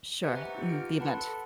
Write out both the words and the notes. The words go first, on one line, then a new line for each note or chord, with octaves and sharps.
Sure, mhm, the event.
G4 B4 C5 E5 F#5 G#5
D#5 F#5 G#5 A#5 C#6
D#4 F4 G4
F6 D7
B4 F#5 A5 B5 C6
A4